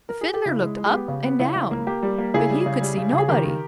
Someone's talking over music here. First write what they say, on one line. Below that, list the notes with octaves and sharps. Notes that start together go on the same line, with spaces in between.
The Fiddler looked up and down, but he could see nobody.
A#4
G#4
G4
C#3 E4
G#3
G#3
G#4
B3 G4
C#3
B3
C#3 E4
C#3
A#3
A#3 G4
G3
A#3
C#3 E4 G#4
G3
C#3
G3
C#3
C#3
G#4
D#3 G4 A#4
D#3